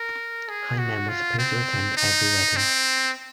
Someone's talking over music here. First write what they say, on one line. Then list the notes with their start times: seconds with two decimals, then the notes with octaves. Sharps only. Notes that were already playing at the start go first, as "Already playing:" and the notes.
Hymen was supposed to attend every wedding.
Already playing: A#4
0.49 G#4
0.78 F#4
1.09 F4
1.38 C4
1.97 D#4
2.57 C4